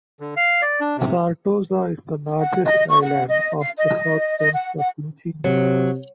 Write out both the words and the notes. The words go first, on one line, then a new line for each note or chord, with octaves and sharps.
Sartosa is the largest island off the south coast of Luccini.
D3
F5
D5
D4
C3
F#5
D#5
C#6
F#5
D#5
F5
D#5
D#5
F#5
F#5
C3 F#3